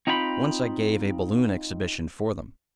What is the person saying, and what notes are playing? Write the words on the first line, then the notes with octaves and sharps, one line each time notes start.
Once I gave a balloon exhibition for them.
C4 D#4 F4 G5 G#5 B5